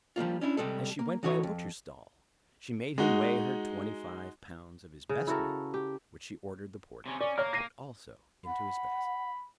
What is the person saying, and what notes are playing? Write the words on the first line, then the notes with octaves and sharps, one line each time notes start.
As she went by a butcher's stall, she made him weigh her twenty five pounds of his best meat, which she ordered the porter to put also into his basket.
F3 G3 A#3 F4
C#4 D4 E4
C3 G3 G#3 A4
A#3
E3 D#4 F#4 A4 C#5
F2
G#3 D#4 F#4
C#3
E4 F#4 A4 A#4
G4
C3 C#4
C#4 D5
A#3 C#5 F6
A#6 C7 D#7
F#5 B5